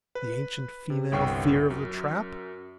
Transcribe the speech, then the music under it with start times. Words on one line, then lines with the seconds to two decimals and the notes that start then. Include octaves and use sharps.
The ancient female fear of the trap?
0.15 B4
0.90 C3
1.12 G1 C2 G5 C#6 C7
1.70 F#2